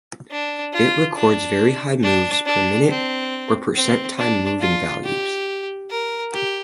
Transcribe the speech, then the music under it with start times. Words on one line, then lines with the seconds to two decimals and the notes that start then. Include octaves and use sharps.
It records very high moves per minute or percent time moving values.
0.31 D4
0.73 F4
1.16 D4
2.02 D4
2.46 D4
2.89 C4
3.75 C4
4.17 D4
4.60 F4
5.04 G4
5.90 A#4
6.33 G4